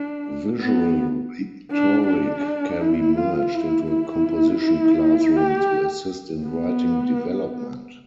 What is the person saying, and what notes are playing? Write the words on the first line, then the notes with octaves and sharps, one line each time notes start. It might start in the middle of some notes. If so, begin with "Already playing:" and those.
Visual rhetoric can be merged into a composition classroom to assist in writing development.
Already playing: D4
B3
D4
D4
E4
F4
E4
E4
E4
G4
B3